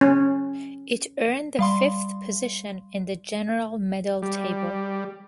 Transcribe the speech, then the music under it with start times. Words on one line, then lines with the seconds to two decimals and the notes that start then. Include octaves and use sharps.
It earned the fifth position in the general medal table.
0.01 C#4
1.59 G3 F5 C6
4.22 G3